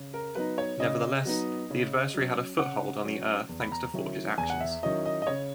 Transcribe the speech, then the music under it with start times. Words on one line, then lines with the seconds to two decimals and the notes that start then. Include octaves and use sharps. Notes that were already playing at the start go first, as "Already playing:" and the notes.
Nevertheless, the Adversary had a foothold on the Earth thanks to Forge's actions.
Already playing: C#3
0.14 A#4
0.35 F#3 B3 D#4 B4
0.58 C#5
0.80 C#3 D#5
1.25 F#3 B3 D#4
1.70 C#3
2.14 F#3 C#4
2.59 C#3 F#5
3.05 F#3 C#4
3.49 E2
3.60 B5
3.72 A#5
3.94 D#3 F#3 C#4 E4
4.38 E2 G#5
4.50 F#5
4.60 E5
4.83 D#3 F#3 C#4 E4 D#5
5.06 D#5
5.22 D#5
5.27 C#3 C#5